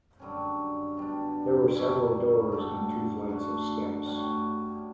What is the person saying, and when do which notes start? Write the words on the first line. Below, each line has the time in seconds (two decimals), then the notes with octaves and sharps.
There were several doors, and two flights of steps.
0.20 F#2 D3 G3 C#4
0.97 B2 G3 D4
1.75 D3 G3 C#4 E4
2.52 G2 D3 F#3 A3
3.29 D3 A3 C#4 F#4
4.06 A2 G3 C#4 F#4